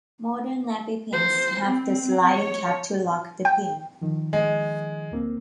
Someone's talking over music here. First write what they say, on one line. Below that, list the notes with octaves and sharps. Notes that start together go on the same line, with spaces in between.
Modern nappy pins have the sliding cap to lock the pin.
C5
C4
C#5
G5
D#3 F3
G#3
D2 A#3 C4